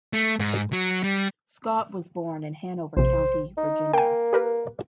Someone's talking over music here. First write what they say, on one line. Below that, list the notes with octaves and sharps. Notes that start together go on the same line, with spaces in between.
Scott was born in Hanover County, Virginia.
A3
G#2
F#3
G3
A#1 C3 C5
D#4
A#3 G5 G#5
G4 A#4 B4